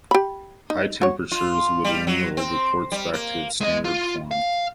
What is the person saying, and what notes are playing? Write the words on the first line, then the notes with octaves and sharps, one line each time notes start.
High temperatures would anneal the quartz back to its standard form.
G4 B5
D#4
F#4 C#5
F4
G3
F#3
C4
G3
A#3
G#3 D#5
F4
F5